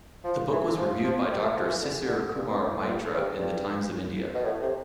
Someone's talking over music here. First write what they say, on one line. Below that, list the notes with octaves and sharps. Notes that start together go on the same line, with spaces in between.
The book was reviewed by Doctor Sisir Kumar Maitra in the "Times of India".
F3
E3
F3
F3
G3
A3
F3
E3
D3
D3
G2
B2
A2
G2
G2
G2
B2
A2
C3